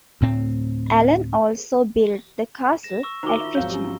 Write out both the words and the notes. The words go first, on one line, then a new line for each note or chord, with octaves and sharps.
Alan also built the castle at Richmond.
D2 A2 C4
A#6 E7
C#6 E6
D#3 D#4 F#4 A#4 C5 A#5 D6 G7
F4 E5
G#1 F3 F#3 C#5 F5 G5
C#4 G4